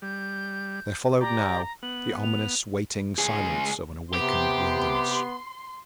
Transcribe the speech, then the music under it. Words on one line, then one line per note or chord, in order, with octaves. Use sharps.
There followed now the ominous, waiting silence of an awakened wilderness.
G3 G6
G4 D5 A#5
B3 F#7
F7
C#2 G#4
C3 B3 G4 C6